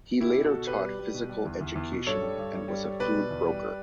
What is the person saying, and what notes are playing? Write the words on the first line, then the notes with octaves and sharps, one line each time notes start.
He later taught physical education and was a food broker.
B2 E4 G4
B2
F#4 A4
B2
B2 G4 B4
G3
G3
B2
G3
E2
E2
E2
B2
G2 A4 C#5
G3
G2
G2
G3
G3
B2 B4 D5
B2
E2
G3